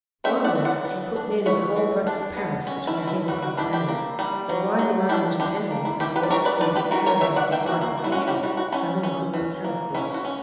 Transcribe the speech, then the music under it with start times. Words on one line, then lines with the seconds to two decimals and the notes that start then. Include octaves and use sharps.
One was, that he put nearly the whole breadth of Paris between him and an enemy; though why Morin was an enemy, and to what extent he carried his dislike or hatred, Clement could not tell, of course.
0.24 C#4 E5 G5
0.44 D5 F#5
0.55 E3
0.65 D5 F#5
0.85 B3
1.16 D4
1.46 B3 C#5 E5
1.76 E3
2.07 D4
2.37 B3
2.67 C#4
2.87 E4
2.97 E3
3.07 E4
3.28 G3 F#4
3.42 F#4
3.57 D4 E4 G4
3.73 E4 G4
3.88 A#3
4.19 G3
4.49 F#3
4.79 F#3
5.09 D4 E4 G4
5.40 D4 E4 G4
5.71 A#3
5.85 E4
6.00 A#3 E4 G4
6.16 G4 B4
6.23 D5
6.30 E3 A#4 C#5
6.45 B4 D5
6.60 D4 B4 D5
6.75 G4 B4
6.91 E3 F#4 A#4
7.06 A#4 C#5
7.21 E3 C#5 E5
7.36 D5 F#5
7.51 A#3 E5 G5
7.66 F#4 A#4
7.81 A#3 F#4
7.97 F#4
8.04 E4
8.12 C#4 F#4
8.28 E4 G4
8.43 G3 F#4
8.57 F#4
8.72 C#4 E4
9.03 C#4
9.34 E3
9.64 A#3
9.95 C#4 E4
10.14 F#4
10.24 C#4